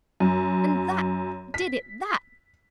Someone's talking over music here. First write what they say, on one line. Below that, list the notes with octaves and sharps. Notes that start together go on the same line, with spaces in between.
And THAT did it--that!
F#2
B6